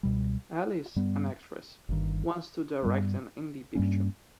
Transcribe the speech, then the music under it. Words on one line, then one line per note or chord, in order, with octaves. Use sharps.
Alice, an actress, wants to direct an indie picture.
C#2 B2 G3
G2 G3 B3
G1 G2 D#3
G2 G3 B3
G2 G3 A#3 C#4